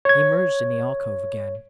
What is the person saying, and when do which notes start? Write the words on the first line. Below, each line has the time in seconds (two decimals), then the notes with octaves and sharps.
He emerged in the alcove again.
0.05 C#5 G#6